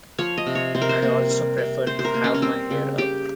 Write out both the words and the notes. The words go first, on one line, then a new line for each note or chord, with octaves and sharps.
I also prefer to have my hair up.
F3 C#5
D#5
C3
C#5
C3 C5
A#4
C5
A#3
G3
C3
C3 C5
C5
A#4
A#3
C#4
C#4
G3 C4
C#3
C#3 G4